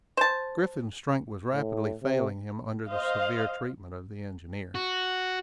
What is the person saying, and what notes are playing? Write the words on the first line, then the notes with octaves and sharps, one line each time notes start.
Griffin's strength was rapidly failing him under the severe treatment of the engineer.
C5 A5
A2
C3
C5 D#5 F5
F#4